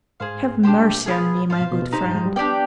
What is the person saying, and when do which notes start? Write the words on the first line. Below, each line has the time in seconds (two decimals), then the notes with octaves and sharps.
Have mercy on me, my good friend.
0.20 G#2 G#4 C5 F5
0.63 B2 D4 G4 C5 G5
1.06 B3 D4 F4 G#4
1.50 G#2 F4 C5 F5
1.61 B2
1.72 B2
1.82 B2
1.93 D#4 G4 C5
2.04 G2
2.15 G#2
2.26 G3
2.36 B3 D4 G4 D5 G5